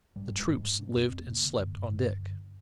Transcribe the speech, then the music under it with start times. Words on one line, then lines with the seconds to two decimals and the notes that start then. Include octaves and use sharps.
The troops lived and slept on deck.
0.16 G#2 G3
0.32 G#2
0.37 G#3
0.47 G#2
0.58 G#2 G#3
0.78 C3 D4
0.96 F2 C4
1.11 F2
1.22 A#3
1.27 C3
1.43 D3
1.59 G2
1.74 G2
1.91 D3
2.06 D3
2.22 G2